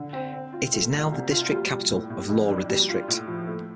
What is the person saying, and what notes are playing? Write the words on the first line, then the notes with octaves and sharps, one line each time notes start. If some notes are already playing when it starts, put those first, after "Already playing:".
It is now the district capital of Lawra District.
Already playing: D3
C4
C4
F4
A3
C2
C3
F4
G3
G3
A2
A2
F2
D4
G3
F4
A2
F3
A3